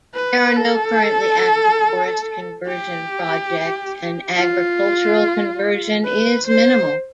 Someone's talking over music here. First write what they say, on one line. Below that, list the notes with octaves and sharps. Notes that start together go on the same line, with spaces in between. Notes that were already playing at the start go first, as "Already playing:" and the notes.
There are no currently active forest conversion projects, and agricultural conversion is minimal.
B4
A4
G4
F4
B4
C5